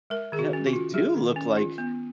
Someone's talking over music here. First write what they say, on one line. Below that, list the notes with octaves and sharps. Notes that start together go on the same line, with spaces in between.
you know, they do look like
G#3 A#4
D#3 G#4
F#4
C#4
F#4
F4
G#3 G#4
D#3
C#4
F4
B3